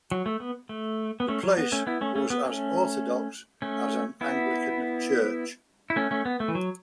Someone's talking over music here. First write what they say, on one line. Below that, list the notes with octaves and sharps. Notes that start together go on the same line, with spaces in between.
The place was as orthodox as an Anglican church.
F#3
A3
B3
A3
B3
A3 C#4
F#3
B3
A3 C#4
B3 E4
A3 C#4
A3 C#4
B3
A3 C#4
A3 C#4
B3 E4
E4
A3 C#4
A3 C#4
B3
A3
E3
F#3